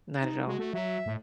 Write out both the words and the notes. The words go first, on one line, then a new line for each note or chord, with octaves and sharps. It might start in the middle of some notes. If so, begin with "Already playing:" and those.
not at all,
D#4
G#3 F#4
A3
F#3 E5
A2